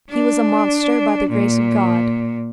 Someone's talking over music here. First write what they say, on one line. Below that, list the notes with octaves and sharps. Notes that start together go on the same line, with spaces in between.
He was a monster by the grace of God.
D4
A#2